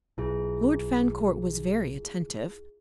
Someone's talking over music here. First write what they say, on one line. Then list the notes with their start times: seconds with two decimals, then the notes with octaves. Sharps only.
Lord Fancourt was very attentive.
0.18 B1 E4 F4 G#4